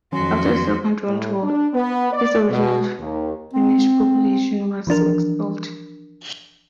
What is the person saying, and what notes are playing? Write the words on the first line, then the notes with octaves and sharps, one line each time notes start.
After the Second World War, its original Finnish population was expelled.
F2 D#3 F#3 C#4 F#4 C6
A2
D4
B3
D5
B2
D#2
C4
E3 F3 D4 A#4